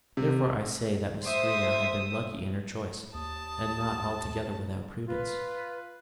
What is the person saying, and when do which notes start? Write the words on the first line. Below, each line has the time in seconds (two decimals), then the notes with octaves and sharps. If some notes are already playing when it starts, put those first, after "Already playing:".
Therefore, I say that Mrs. Greenow had been lucky in her choice, and not altogether without prudence.
0.17 C3
1.23 C5 E5 D#6
3.14 D#2 A5 D#6
5.08 F4 B4